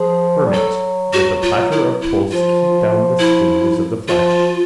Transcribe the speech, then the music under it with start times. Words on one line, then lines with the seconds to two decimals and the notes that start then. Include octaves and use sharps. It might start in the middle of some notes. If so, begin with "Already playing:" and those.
Hermit with a platter of pulse keep down the stings of the flesh.
Already playing: F3 G#4
0.46 G3
0.53 F#3 A4
1.13 F#4
1.42 F4
1.72 E4
2.01 E4
2.30 F3 F4
3.19 E4
4.08 F3 F4